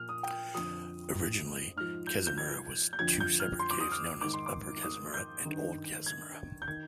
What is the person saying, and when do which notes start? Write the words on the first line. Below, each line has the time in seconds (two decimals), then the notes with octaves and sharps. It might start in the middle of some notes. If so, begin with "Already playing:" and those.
Originally Kazumura was two separate caves known as Upper Kazumura and Old Kazumura.
Already playing: A#2 F3 F6
0.09 D#6
0.23 G5
0.54 F2 D3 F3 D#6
1.76 G#2 F3 F6
2.07 G6
2.27 G6
2.38 G#6
2.93 G6
2.99 F2 D3 F3 G#6
3.20 G6
3.40 F6
3.59 C6
3.71 D6
3.80 D#6
3.92 F6
4.21 G#2 D#3 D6
4.33 C6
4.46 D6
4.83 D#6
5.14 G6
5.45 G2 D#3
6.06 G#6
6.62 G6
6.68 D#3 G#6